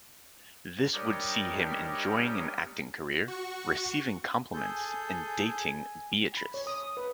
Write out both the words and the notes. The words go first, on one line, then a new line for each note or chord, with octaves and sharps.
This would see him enjoying an acting career, receiving compliments, and dating Beatrice.
G3 D4 G4 A#4 C#5 D#5
F#4 C#6
G#4 A4 G#5 G6
B5
C#5
D#6
D#6
B4